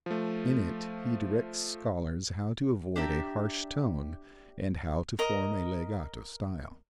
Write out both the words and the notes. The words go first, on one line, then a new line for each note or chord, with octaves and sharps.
In it he directs scholars how to avoid a harsh tone, and how to form a legato style.
F3 A3
D4 G4 E5 A#5
A#4 D#5